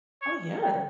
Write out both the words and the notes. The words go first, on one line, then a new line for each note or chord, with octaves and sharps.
Oh, yeah.
C#5
G5